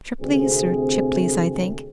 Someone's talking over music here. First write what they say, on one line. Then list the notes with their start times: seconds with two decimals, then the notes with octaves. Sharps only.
Tripley's or Chipley's, I think.
0.20 D2 C3 C4 G#4